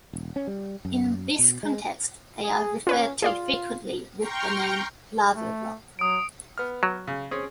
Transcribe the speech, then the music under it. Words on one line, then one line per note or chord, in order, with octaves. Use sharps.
In this context, they are referred to frequently with the name "lava rock".
E1
C#4
G3
F#2
B2
G#3
G#4
C#4 F4 B4 C#5
F4 G#4 D5 F5
G5 A#5 C6 C#6 F6 G6
A3
F#3 D#6 D7
B3 F6
F#3
C#3
C4 C#4 G#4